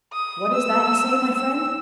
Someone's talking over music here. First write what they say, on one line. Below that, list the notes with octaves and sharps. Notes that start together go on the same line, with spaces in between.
"What is that you say, my friend?"
D#6
E6
E6